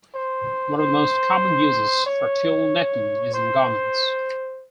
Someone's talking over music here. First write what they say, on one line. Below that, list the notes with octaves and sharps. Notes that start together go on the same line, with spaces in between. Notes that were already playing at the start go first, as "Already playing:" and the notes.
One of the most common uses for tulle netting is in garments.
C5
C5
C#5
C5